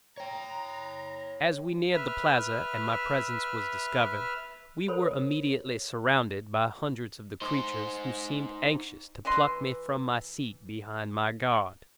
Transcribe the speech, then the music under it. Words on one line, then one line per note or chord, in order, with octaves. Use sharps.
As we neared the plaza and my presence was discovered we were immediately surrounded by hundreds of the creatures who seemed anxious to pluck me from my seat behind my guard.
C#5 G5 A#5
B4 E5 F6
A4 A#4 C5 C#5 B5
D#4 C5
E3 B4 D#5 C6